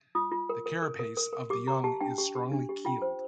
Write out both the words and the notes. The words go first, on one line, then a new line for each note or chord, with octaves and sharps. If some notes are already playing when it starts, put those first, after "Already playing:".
The carapace of the young is strongly keeled.
F4 D#6
F4
A#4
A#4
A#4
A#4
A#4
A#4
G4 D6
G4 A#5
G4 A5
D4 G5
G4
G4
D4
G4
F4 G5
C5